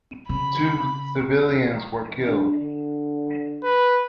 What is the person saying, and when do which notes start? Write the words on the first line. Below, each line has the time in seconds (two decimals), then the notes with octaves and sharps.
Two civilians were killed.
0.29 C#3 B5
2.27 D4
2.61 D3
3.63 B4